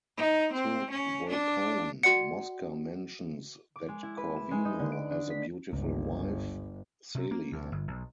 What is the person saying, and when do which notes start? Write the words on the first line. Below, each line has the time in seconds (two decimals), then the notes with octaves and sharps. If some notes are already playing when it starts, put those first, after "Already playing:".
To Volpone, Mosca mentions that Corvino has a beautiful wife, Celia.
0.18 D#4
0.53 C4
0.90 C#4
1.29 D4
2.03 F#4 D5 F#5 C#7
3.76 D6
3.88 G#3
4.03 E4
4.18 B4
4.36 E7
4.51 G#3
4.65 D#4
4.79 D3
4.92 D7
5.11 D4
5.30 B6
5.73 G1 C#2
7.15 C3
7.31 A#3
7.52 D2
7.72 G1
7.88 B1